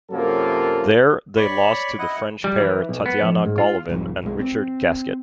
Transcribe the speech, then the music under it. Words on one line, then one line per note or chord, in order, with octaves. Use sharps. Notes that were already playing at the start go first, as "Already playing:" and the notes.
There, they lost to the French pair Tatiana Golovin and Richard Gasquet.
F#2 C3 F#3 A#3 F4 A4
C#5 D5 B5 C#6
E4 D#5 F#5
G3
E3
B1
B3
F2
G#2
F4
F1 C2 F2 G#2
B1 G#3
C4